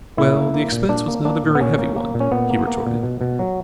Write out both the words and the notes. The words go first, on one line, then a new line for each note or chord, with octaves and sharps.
"Well, the expense was not a very heavy one," he retorted.
A#2 E4
A#3
A#3
A#2
A#2 D4
A#3
A#3 D4
A#2
B3
A#2 C#4
A#3
A#3
A#2
C#4
A#2 B3
A#3
A#3
A#2
B2
B2
F#3